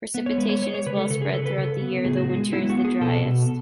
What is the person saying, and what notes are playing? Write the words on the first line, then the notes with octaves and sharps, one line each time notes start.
Precipitation is well-spread throughout the year, though winter is the driest.
B3
C#5
G#3 B4
C#5
G#3 C#5
C#5
C#3 B4
A4
C#3 A4
G#4
B4
C#3 A4
B4
C#3 A4
B3
A2 G#4
F#4
G#3 G#4
B3 E4
F#4
B3
G#4
B2 A4
B2